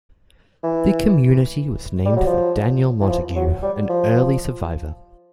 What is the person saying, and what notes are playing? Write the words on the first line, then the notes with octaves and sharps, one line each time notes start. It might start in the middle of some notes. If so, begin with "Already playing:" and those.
The community was named for Daniel Montague, an early surveyor.
E3
G3
F#3
F3
E3
F3
F#3
G3
F3